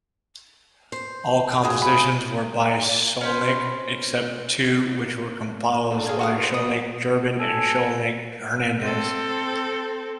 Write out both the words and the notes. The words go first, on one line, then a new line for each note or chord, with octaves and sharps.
All compositions were by Skolnick, except two which were composed by Skolnick-Joubran and Skolnick-Hernandez.
C5
F#2 C#3 G#4
B5
C#4 B4 C5
A#2 A4
G#4 F5 G#5
F#4 F5 D#6
A#4 C5
B2 F#3 D#6
A4 G#5
C4 A4